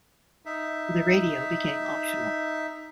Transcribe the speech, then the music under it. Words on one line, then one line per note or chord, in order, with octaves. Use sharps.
The radio became optional.
D#4 E5